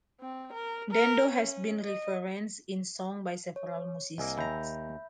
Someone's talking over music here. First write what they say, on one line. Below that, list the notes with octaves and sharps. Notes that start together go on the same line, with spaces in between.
Dando has been referenced in song by several musicians.
C4
A#4
A#4
C#4
D#5
C#5
C2 A#3 D#5 G#5 E6
D#2 E5 A#5 B5 G6